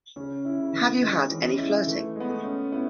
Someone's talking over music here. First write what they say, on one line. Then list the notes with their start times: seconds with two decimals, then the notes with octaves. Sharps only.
Have you had any flirting?
0.16 C#3 C#4
0.45 E4
0.59 C#3
0.73 E3
1.02 D#3 G#3
1.30 E3 C#4
1.58 G#3 E4
1.87 E3 A3
2.15 G#3
2.20 B3
2.29 A3
2.44 C#4
2.72 B3 E4